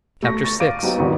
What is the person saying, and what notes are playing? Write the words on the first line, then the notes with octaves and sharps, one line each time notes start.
Chapter VI.
A3 C#6 A#6
C#6 A6
F5 D6 D7 D#7
F#3 B3 D#4 G4 C5
G#1 E2 D#3 F#3 B4 C#6